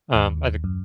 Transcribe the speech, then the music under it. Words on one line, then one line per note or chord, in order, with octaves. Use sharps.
um, I think,
D#2
F#2